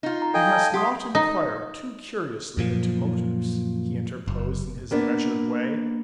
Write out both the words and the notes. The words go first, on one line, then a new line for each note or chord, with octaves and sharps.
"We must not inquire too curiously into motives," he interposed, in his measured way.
D#4 F4
A#5
A4 D#5 F5 G5 G#5
A5
G4 F#5 C6 D#6
D#4
F#2 A#2 F3
F#1
A#3 B3 D4